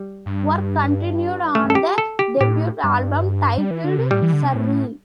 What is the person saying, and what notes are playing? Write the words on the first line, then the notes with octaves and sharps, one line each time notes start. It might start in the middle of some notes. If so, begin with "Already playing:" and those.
Work continued on the debut album, titled "Surreal".
Already playing: G3
G2
A3
A4
G4
A4
G4
A2 G4
G2
G3
E3
D3
C3
A2 G3
E3
D3
C3
A2